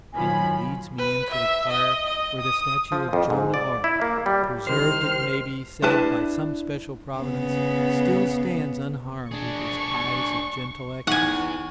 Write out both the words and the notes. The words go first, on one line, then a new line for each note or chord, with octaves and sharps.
And he leads me into the choir where the statue of Joan of Arc, preserved it may be said by some special Providence, still stands unharmed, with its eyes of gentle ecstasy.
D#3 F3 F#3 G#5 B5
B4
E5
D#5
D#5
D#6
F3
F2
G#2
D5
E4
A#3
G3
C2 D#3 G4 C5 F6
D4 E4 B4 A5
C#3 B3
D4 G#4 C#6
E2 D#4 F#5 G#5 C#6